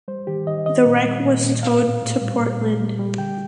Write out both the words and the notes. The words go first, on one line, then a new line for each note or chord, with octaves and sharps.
The wreck was towed to Portland.
G3 C5
D#3 G4
D#3 D#5
D#3 D#5
A#2
G3
A#2
A#2
A2 F5
A2
A2
G3
A#2
A#2
G3
G3
D3 G5